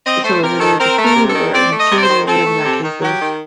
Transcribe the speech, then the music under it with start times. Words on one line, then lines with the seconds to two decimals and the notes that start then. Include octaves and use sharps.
So, wh whether it's a food or an activity or whatever that case is,
0.04 C4 D#5
0.23 A3 C5
0.41 C3 A#4
0.59 D#3 A4
0.79 C4 A#4
0.97 A3
1.03 A#4
1.15 C3
1.28 A4
1.34 D#3
1.53 C4 D5
1.71 A3
1.78 D#5
1.90 C3
1.97 D5
2.02 C5
2.09 D#3
2.26 C4 A4
2.46 A3
2.64 C3
2.82 D#3
3.01 F#3 G4
3.19 D#3